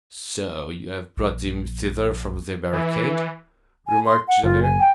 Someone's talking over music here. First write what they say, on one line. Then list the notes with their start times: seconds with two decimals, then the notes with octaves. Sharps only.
"So you have brought him thither from the barricade?" remarked Javert.
1.17 A#1
2.73 E3
3.87 G#5
4.06 C6
4.28 F#5
4.44 F#1 F4
4.62 G#5
4.79 G5